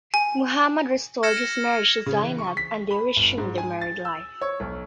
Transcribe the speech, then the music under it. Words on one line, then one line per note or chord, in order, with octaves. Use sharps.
Muhammad restored his marriage to Zainab, and they resumed their married life.
G#5
F6 G#6 A#6 C#7 E7
C#3
E3
C#6
B6
B5
G1
G#2
G#5
A6
E6
C#5
B1